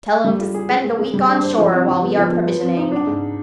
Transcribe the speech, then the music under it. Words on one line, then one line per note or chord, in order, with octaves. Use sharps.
Tell them to spend a week on shore while we are provisioning.
G3
F4
G#4
G#3
G#3
G#3
G3
D4
C5
F3
C4
F3
B3
F3
F3
B4
C4
D#4
D4
G#2